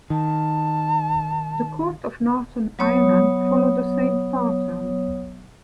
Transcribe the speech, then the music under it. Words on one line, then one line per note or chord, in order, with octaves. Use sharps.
The Courts of Northern Ireland follow the same pattern.
D#3 A5
F#3 B3 C#5 D#6